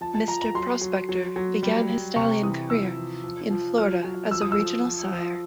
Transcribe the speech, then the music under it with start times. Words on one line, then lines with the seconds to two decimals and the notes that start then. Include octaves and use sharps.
Mr. Prospector began his stallion career in Florida as a regional sire.
0.01 F3 A5
0.14 A5
0.28 F3 A#5
0.42 A#5
0.54 F#3 C6
0.81 F#3
1.09 F#3
1.36 F#3
1.63 G3
1.90 G3
2.16 C3 C#6
2.43 E3 D#6
2.70 F3 E6
2.97 F3
3.24 F3
3.50 F3
3.77 F#3 F6
4.04 F#3
4.31 F3 E6
4.41 D#6
4.52 E6
4.58 F3
4.85 F3
5.12 F3